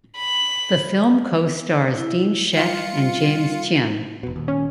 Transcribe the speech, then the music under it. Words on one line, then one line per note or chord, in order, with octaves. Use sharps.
The film co-stars Dean Shek and James Tien.
B5
E4
G3 F4 C#7
F1 B2
D#1 D#2
C#4